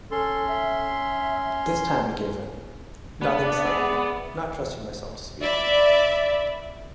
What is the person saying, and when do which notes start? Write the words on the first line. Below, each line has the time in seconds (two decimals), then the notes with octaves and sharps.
This time I give in, nodding slightly, not trusting myself to speak.
0.11 C#4 A4 C6
0.49 E5
3.21 B3 D4
3.44 D4 D5
3.65 G#4 D5 E5
5.41 D5 E5 B5